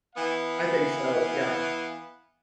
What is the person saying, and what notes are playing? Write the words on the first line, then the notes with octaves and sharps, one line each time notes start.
I think so, yeah.
E3 B3 F5